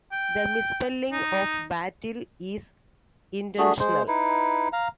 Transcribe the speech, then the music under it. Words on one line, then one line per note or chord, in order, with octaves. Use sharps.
The misspelling of "Battel" is intentional.
G5
D#4
A3 D4 F#4 G#4
G#3 C5
D#4 E4 B4
F5 A#5